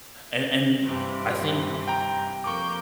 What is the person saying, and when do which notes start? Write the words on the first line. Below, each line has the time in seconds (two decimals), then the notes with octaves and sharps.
And and, I think
0.83 G2 C3 E3
1.88 G5 A#5
2.44 F2 A#3 C#6 D6 G6